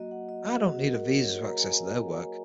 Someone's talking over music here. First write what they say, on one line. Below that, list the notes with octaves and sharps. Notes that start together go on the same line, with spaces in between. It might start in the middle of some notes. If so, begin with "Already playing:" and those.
I don't need a visa to access their work.
Already playing: F#3 A#3 F#4 D#5
F#5
D#5
F#4
G#4
F#4
A#4
A#4
C#5
A#4
A#5
G#5